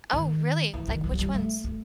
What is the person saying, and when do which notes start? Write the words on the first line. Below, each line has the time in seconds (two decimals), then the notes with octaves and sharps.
Oh, really? Like, which ones?
0.12 D#3
0.74 E3
0.88 D#3
1.04 E3
1.11 F#3
1.19 G3
1.34 A3
1.64 A3